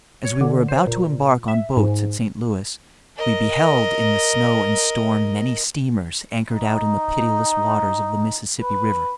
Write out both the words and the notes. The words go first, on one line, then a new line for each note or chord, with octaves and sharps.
As we were about to embark on boats at St. Louis we beheld in the snow and storm many steamers anchored out in the pitiless waters of the Mississippi River.
C#5
D3
C5
A#2
E5
G#2
A#4 D#5
D#4
B4